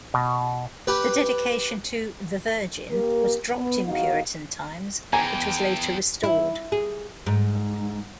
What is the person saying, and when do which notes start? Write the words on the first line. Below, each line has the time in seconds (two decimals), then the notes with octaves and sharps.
The dedication to "-the-Virgin" was dropped in Puritan times but was later restored.
0.14 B2
0.87 G4 B4
2.91 A#3 G4 A#4
3.55 B3
3.87 E2 D#4 F#4 F5
5.13 E2 G5 G#5 A#5
6.23 E4
6.72 G#4
7.26 G#2